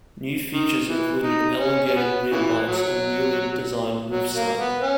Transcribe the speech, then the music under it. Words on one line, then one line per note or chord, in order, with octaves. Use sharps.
New features included elongated rear lights and a newly designed roof sign.
D#3
E3
D#4
C#4
C#4
B3
C#3 E3
F#3
F#3
A#3
B3
C#4